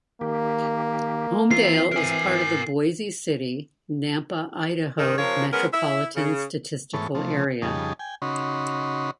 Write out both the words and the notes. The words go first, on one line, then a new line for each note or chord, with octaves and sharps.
Homedale is part of the Boise City-Nampa, Idaho Metropolitan Statistical Area.
D#3 A#3 G4
E3 C4 F4 E5 C7
A#4 G#5
G2 D#3
C3 F3 A#4 C#5
G#3 B3 C#4 A#4
E4 E5
C#3
G#2 E3 A3 B3 A4 C#5
C3 F3 A3
F2 C#3 G3 D#4 G#4 A5
G5 G#5
C#3 C#4 D#4 F#4 B5 C6